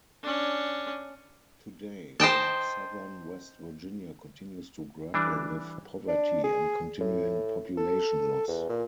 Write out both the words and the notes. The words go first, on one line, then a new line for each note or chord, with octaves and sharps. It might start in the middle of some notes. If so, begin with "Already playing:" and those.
Today, Southern West Virginia continues to grapple with poverty and continuing population loss.
C#4 D4
C5 D#5 G5 A5
E3 G3 D4
D4
G#4
A2
A4
E2
A#2